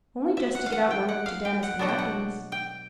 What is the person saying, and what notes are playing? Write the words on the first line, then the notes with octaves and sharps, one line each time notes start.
'Only just to get out one of t' damask napkins.'
E5
F#5
F5
F#5
G5
F#5
F5
G5
F#5
B2 F#3 B3 D4 F#5
G5
F#5
G5